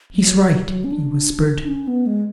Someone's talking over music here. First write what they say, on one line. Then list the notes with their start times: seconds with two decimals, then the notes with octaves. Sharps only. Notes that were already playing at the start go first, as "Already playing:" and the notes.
"He's right!" he whispered.
0.15 F#3
0.41 F#3
0.66 F#3
0.84 C#4
0.92 D4
1.63 D4
1.69 C#4
1.88 B3
2.07 G#3